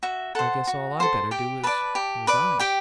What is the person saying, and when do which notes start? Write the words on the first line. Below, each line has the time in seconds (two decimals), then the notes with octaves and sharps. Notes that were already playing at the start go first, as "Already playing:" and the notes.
"I guess all I better do is--resign!"
0.03 F#4 E5
0.35 A4 C5 F#5
0.67 F#4
1.00 A4 C5
1.31 G4 G5
1.63 B4 D5 A5
1.95 G4
2.27 B4 D5
2.59 G4 G5